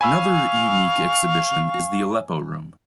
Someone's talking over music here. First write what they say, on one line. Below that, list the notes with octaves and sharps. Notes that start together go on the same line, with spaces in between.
Another unique exhibition is the Aleppo room.
F5 G#5 B5 C#6 E6